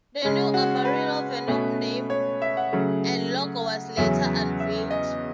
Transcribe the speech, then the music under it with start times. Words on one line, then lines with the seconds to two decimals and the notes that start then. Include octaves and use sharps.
The new Amarillo Venom name and logo was later unveiled.
0.22 C#3 G#3 C#4
0.54 F#4
0.85 B4
1.47 B2 A3 C#4
2.10 C#5
2.42 E5
2.57 F#5
2.72 C#3 F#3 A3 C#4
3.97 E2 C#3 F#3 C#4 E5
4.60 E5
4.91 D#5